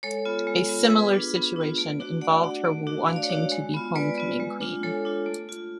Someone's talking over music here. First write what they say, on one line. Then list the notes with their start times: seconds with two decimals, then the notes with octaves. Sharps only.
A similar situation involved her wanting to be Homecoming Queen.
0.03 G#3 A4 C#5
0.25 B3 F4
0.47 G#3
0.69 B3 F4
0.90 B3 G#4 B4
1.13 D4 F4
1.34 B3
1.56 D4 F4
1.78 A3
2.00 D4 F#4
2.21 A3 D5 F#5
2.44 D4 F#4
2.65 A3
2.87 D4 F#4
3.08 A3 F5
3.16 D5
3.23 C#5 F5
3.30 D4 F#4
3.52 G#3
3.74 B3 F4
3.95 G#3 B4 D5
4.18 B3 F4
4.40 G#3
4.61 D4 F4
4.83 G#3 A4 C#5
5.05 D4 F4
5.26 A3
5.49 F4